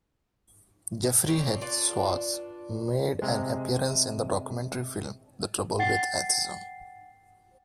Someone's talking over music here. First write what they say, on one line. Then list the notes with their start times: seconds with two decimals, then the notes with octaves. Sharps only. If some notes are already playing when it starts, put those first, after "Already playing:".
Jeffrey H. Schwartz made an appearance in the documentary film "The Trouble with Atheism".
1.28 F3 C4 C#5 D5
1.61 D4 F4 B4 D5
3.22 C3 G#3
5.79 F#5 G5 A6 C7